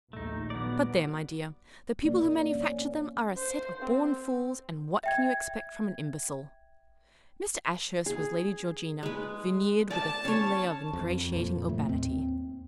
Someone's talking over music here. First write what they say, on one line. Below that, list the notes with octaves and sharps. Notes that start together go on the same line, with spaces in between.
But, there, my dear; the people who manufacture them are a set of born fools, and what can you expect from an imbecile?' Mr. Ashurst was Lady Georgina, veneered with a thin layer of ingratiating urbanity.
A#1 D#2 A2 A3 D#4
F#3 B3 D5
A#3 D5
C#4
C5
C4
E5 G5 G#6
G#4
G#3 B4
D5 A5
C#4 C#5
F2
F2 A#2
A2 A3
D#2 C4